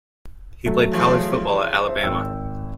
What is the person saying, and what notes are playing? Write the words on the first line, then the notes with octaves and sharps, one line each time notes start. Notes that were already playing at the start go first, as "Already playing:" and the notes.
He played college football at Alabama.
F#3 A3
C#3 E3 F3
C5 E5
G#1 G5 E6